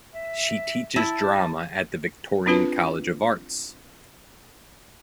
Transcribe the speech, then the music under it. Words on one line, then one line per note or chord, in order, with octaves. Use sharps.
She teaches drama at the Victorian College of Arts.
E5
E4 A5
C4 D4 F4 B4 A5